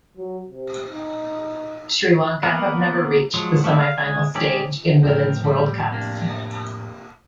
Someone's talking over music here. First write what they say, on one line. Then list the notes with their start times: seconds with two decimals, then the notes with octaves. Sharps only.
Sri Lanka have never reached the semi-final stage in women's World Cups.
0.17 F#3
0.49 C3
0.90 D#4
2.43 A#3 B3 A#4 B4 F#5
3.34 F3 F#3 G#3
3.64 A3 A#3 C4 D4 E4
3.81 F5
3.98 G#3 G#5
4.35 D#3 G#3 C#4 G4 D5
5.03 F2 A2 C4 A#4
5.44 G3
5.91 C3 A#3 D4